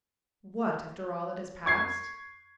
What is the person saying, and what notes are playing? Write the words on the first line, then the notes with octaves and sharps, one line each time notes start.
"What, after all that has passed?"
C#6 G#6 C7